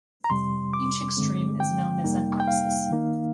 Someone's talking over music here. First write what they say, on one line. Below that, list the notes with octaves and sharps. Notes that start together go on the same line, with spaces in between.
Each extreme is known as an apsis.
A#5
F2 C3 G3 C6
D6
G2 D3 G#3 C4
G5
F2 C3 G3 A#3 D#4
G5
F5
D#3 A#3 D#4